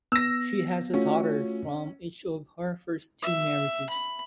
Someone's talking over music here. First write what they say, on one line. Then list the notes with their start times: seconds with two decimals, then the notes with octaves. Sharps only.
She has a daughter from each of her first two marriages.
0.12 B3 E6 A#6
0.94 A3 C#4 F4 F#4
3.22 E5
3.90 B5